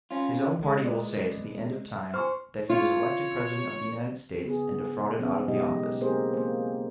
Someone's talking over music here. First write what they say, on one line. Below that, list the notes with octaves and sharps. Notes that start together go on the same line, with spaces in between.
His own party will say to the end of time that he was elected president of the United States, and defrauded out of the office.
C#4 F4
G#3
B4 D5
C5 G#5 C#6 F6
F4 C#5
C#3 B3 G#4
E3 B3 C#4
B2 F#3 G#3 D#4 G4 D#5
A#3 C4 G4 G#4 A#4 C5
A#3 C5